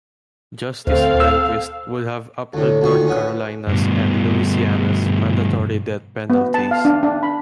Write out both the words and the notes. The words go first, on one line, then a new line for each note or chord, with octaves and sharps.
Justice Rehnquist would have upheld North Carolina's and Louisiana's mandatory death penalties.
D2 C4 A4 F5
E6
D2 A2
D2 A#2 D#3 C#6
B3 C#4
G2 B2
B3
A5
F5
D4
D4
B5